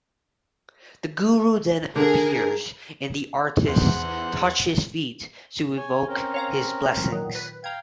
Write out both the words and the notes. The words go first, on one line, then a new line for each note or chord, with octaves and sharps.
The 'Guru' then appears and the artistes touch his feet to evoke his blessings.
D3 G#4 A#4
E2 C5 F#5 C6
C#5 G#5
C4 C#4 A#4
C#5 F5 A#5
A#2 D#3 F#3
B4
F5 G5 A#5 G#6